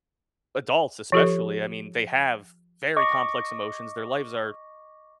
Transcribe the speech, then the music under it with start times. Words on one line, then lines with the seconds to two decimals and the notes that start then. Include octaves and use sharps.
adults, especially, I mean, they have very complex emotions, their lives are
1.12 F3 F4 G4 A4
2.96 D#5 C#6 D6